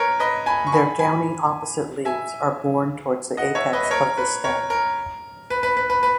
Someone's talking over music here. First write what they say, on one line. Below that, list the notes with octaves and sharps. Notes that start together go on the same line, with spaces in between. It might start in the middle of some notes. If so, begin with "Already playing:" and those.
Their downy opposite leaves are borne towards the apex of the stem.
Already playing: A#4 B4 C#5
B4 D#5
G#5 B5
C#6
G#5 B5
G#5 B5
E5 G#5
D#5 F#5
C#5 E5
B4 D#5
D#5
A#4 C#5
B4
A#4 C#5
A#4
B4
B4
B4
B4
B4